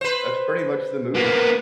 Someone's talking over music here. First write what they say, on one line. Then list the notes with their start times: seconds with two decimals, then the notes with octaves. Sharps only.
that's pretty much the movie.
0.01 B4 C5
1.15 A#3 B3